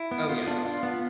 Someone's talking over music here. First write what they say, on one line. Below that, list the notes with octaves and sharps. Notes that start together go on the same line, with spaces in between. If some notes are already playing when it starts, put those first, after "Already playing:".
Oh, yeah.
Already playing: E4
B3
F4
D4
F4
B3